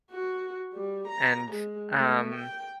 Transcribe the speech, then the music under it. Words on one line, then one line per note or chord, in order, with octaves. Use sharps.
and, um,
F#4
G3
A#5
G#3
A3
G5